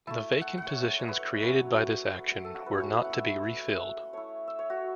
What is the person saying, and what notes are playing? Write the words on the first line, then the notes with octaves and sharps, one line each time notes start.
The vacant positions created by this action were not to be refilled.
A3 E4 A5
F#5
F#5
C#5
C#5
B4
F#3 C#4 E4 B4
A4
F#4
B4
A3 C#4 E4 C#5
F#5
E5
A3 E4 C#5
E5
C#5
F#4